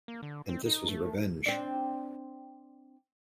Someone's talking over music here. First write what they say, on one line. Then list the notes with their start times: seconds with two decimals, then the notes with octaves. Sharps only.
And this was revenge.
0.08 A#3
0.23 D3
0.49 C4
0.66 D#4
0.89 A3
1.46 C4 D4